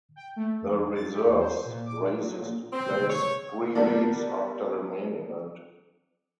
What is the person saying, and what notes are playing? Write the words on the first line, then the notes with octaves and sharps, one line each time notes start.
The reserves races took place three weeks after the main event.
G5
A3
F2
A6
G4
E2
C5
A#2
D6
D4
F#3
A#2
C4
C#5
G3 B3 D4 A4 A#4 D5